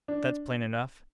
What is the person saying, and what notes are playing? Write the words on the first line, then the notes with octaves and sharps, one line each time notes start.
"That's plain enough."
D4